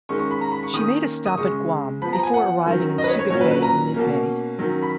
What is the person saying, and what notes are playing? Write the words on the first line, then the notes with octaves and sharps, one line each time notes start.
She made a stop at Guam before arriving in Subic Bay in mid-May.
D#3 G#3 C#4 C#6
C#6
B5
A#5
B5
C#6
D#3 A#3 C#4 D#6
D#6
C#3 G#3 C#4 C#6
F3 B3 B5
A#5
G#5
F#5
D#3 F#3 C#4
D#5
B4
C#5
C#5
A#2 F#3 C#4 C#5
B4
B4
A#5
B2 A#3 C#4
D#3 F#3 C#4
B5